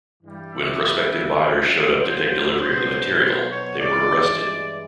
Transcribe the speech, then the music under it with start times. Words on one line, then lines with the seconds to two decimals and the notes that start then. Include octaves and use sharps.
When prospective buyers showed up to take delivery of the material, they were arrested.
0.21 G2 E3 G3
0.52 E5
1.41 A#2 F#3
2.00 C5
2.60 B2 F#3 C5
3.20 C5
3.50 C#5
3.80 G2 E3 G#3 D5
4.40 D5